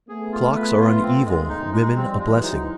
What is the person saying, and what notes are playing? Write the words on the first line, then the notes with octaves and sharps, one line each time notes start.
Clocks are an evil, women a blessing.
A3 B3 G#4
F4
B4
F4
C4
G#3
D#4
G#3
F3 G3 C4
G#3
E3 F#3
D#4